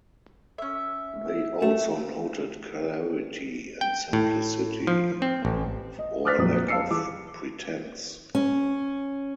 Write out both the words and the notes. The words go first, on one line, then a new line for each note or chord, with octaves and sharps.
They also noted clarity and simplicity or lack of pretense.
C#4 E5
A3
G5
A2
F3
C4
A1
D#5
D6 D#6 F6 F#6 A6 B6
A#1 F2 F#3 B3 C4 D#6
F5 A5 E6 C7 C#7
E3 G#4 D6
C#4